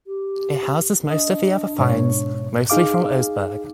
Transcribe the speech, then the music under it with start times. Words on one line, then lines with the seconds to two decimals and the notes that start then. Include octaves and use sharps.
It houses most of the other finds, mostly from Oseberg.
0.07 G4
1.10 D4 D#5
1.79 G#2 B2 C#5
2.70 D#4 G#4 F5 D6